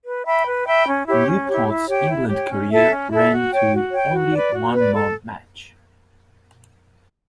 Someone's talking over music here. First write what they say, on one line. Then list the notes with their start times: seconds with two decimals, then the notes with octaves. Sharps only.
Newport's England career ran to only one more match.
0.04 B4
0.25 E5 G5 B5
0.46 B4
0.66 E5 G5 B5
0.86 C#4
1.06 E4 G4 C#5
1.27 C#4
1.48 E4 G4 C#5
1.67 E4
1.88 G4 C#5 G5
2.09 E4
2.29 G4 C#5 G5
2.50 C#4
2.70 E4 A4 E5
2.90 C#4
3.11 E4 A4 E5
3.31 F#4
3.51 C#5 G5
3.72 F#4
3.92 C#5 G5
4.12 F#4
4.32 B4 D5
4.54 F#4
4.73 B4 D5
4.94 A4